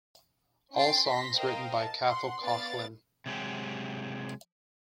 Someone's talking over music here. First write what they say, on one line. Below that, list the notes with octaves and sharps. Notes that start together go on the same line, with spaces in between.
All songs written by Cathal Coughlan.
C#4 G5 C6 A6 C7
C6 A#6 B6
A#4 C5 D#5 F5 G5
A5
F#5 C6
B3 D5 F5 A6
C3 F#3 G#3 G4